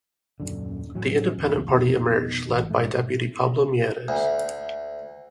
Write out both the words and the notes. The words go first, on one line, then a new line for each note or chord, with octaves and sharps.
The Independent Party emerged, led by Deputy Pablo Mieres.
D#1 F#2 D3
A2 F#3 C#4
E1 C#2
F1 B2 D#3
A1
G#2 A3
D2